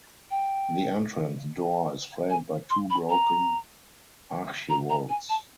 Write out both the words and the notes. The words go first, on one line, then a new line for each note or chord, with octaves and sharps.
The entrance door is framed by two broken Archivolts.
G5
G#5
C6
B5
A#5
A#5
A#5
G#5
A5